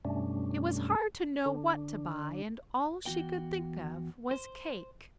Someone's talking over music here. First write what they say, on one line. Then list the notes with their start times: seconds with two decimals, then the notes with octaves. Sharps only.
It was hard to know what to buy and all she could think of was cake.
0.05 F#2 B2 G3 A3 C#4 D4
1.46 D3 D4
3.06 E2 G2 F#4 G5
4.31 C5